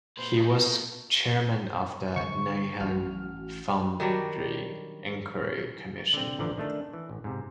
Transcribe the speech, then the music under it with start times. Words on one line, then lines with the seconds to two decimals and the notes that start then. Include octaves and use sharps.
He was chairman of the Nahan Foundry Enquiry Commission.
0.18 A#2 B4 C5
0.36 A#3 D#4 A4
2.16 D3 G3 G#3 C#6
2.80 A1 C#4 F#4 F6
4.00 D#3 F#3 G3 D4
6.13 D3 C4
6.39 A1 D3 E3 F3 D5 A#5
6.58 D#3 A3 D4
6.94 E3
7.09 A1
7.24 G#2 C3